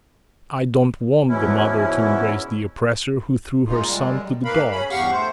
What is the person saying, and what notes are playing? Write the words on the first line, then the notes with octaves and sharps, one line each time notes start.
I don't want the mother to embrace the oppressor who threw her son to the dogs!
E2 G#2 B2 E3 C#4 E4
A#2 C#3 G#3 D#4 F4
F#2 G3 G#3
G#2 A#3 A#4 B4 F5 B5
C#3 C#4 B5
E2 G2 G4 F5 F#5 C#6
A3 C5